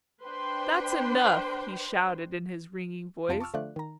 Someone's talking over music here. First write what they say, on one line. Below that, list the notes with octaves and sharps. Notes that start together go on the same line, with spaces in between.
"That's enough!" he shouted in his ringing voice.
D4 B4 C5 G5 C6
F2 C3 F4 A5 C#7 D7
A5 C#6 D6 E6 F6
D3 F3 A3 F4 D5 F#6
D#3 A#5